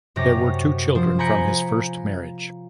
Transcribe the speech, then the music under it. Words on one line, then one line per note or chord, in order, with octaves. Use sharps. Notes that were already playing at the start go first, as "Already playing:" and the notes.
There were two children from his first marriage.
F#2 C3 G4 C#5 A#6
F3 C5
G#5 A#5 B5 G6 C#7 D7